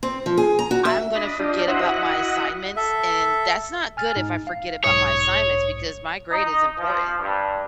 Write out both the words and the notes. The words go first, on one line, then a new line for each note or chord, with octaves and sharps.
"I'm gonna forget about my assignments," and that's not good if I forget about my assignments because my grade is important.
C4
F3
G#4
A#5
F#4
E5
D4 D#5 B5
D4 F4 G4 D#5
E4 F#4 C5 D#5 E5 F#5
F#5
A4 E5
G#5 F6 A6
G#2 D#4
F5
B1 G#2 C#5 D#6
D#4
F3
G2